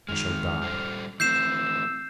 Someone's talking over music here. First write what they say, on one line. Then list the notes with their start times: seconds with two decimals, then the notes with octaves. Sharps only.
I shall die.
0.09 D#3 G#3 F6
0.62 G3 A4 C5
1.20 E3 A3 C4 E6 G6 C7 E7